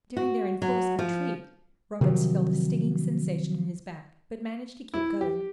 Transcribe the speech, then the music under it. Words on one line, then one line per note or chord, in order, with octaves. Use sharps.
During their enforced retreat, Roberts felt a stinging sensation in his back, but managed to keep going.
F#4
F#3
F3
C3 D#3 F3 F#3
E4
G4